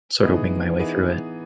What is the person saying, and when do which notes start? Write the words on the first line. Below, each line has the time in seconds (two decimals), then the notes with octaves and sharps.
sort of wing my way through it.
0.21 E3 B3 D#4 G#4
0.79 E3 B3 D#4 G#4